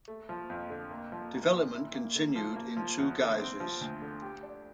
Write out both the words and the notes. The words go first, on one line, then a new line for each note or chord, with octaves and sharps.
Development continued in two guises.
A3
F3
F2
D3
A#3
F3
A#1
A#2
E4
A#3
D3
F3
A#3
F3
E2
D3
C4
F3
D2
D3
G4
D4